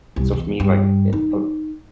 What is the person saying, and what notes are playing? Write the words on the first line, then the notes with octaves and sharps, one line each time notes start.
So for me, like, yeah, uh
C2
E2
G2
D#4